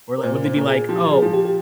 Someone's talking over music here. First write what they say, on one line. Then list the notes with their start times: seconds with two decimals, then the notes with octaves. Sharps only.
Or, li would they be like, "Oh,
0.18 A#4
0.23 A#2 C5
0.35 A#4
0.45 C5
0.55 A#2 A#4
0.67 G#4
0.89 F3 G4
1.11 G#4
1.22 F3
1.33 G4
1.45 G4